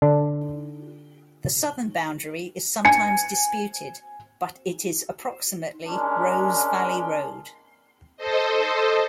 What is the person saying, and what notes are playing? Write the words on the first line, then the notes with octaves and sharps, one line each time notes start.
The southern boundary is sometimes disputed, but it is approximately Rose Valley Road.
D3 D4
G#5 C#7
G#3 C#4 D4 A#4
A4 C5 D#5